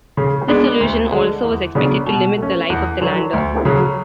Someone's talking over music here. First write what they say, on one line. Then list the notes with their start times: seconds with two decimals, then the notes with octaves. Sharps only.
This solution also was expected to limit the life of the lander.
0.17 C#3
0.48 G#3 B3 D4
0.80 D2
1.12 D3 G#3
1.44 E2
1.75 C#3 F#3 B3 D4
2.07 B2
2.38 A3 C#4
2.70 E2
3.01 D3 F#3
3.33 D2
3.65 C#3 F#3